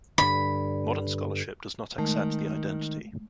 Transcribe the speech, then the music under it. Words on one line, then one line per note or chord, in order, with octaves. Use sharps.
Modern scholarship does not accept the identity.
G2 D3 B5
D#3 G#3 A3